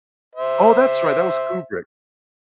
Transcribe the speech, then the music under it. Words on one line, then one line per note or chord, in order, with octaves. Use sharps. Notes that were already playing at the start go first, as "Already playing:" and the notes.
Oh, that's right, that was Kubrick.
C5 E5